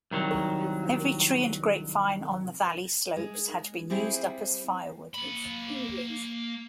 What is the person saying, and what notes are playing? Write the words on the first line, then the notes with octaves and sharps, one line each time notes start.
Every tree and grapevine on the valley slopes had been used up as firewood.
C2 D#3 E3 F#3
G#3
G3 C4 E4 G#4
A#3 B5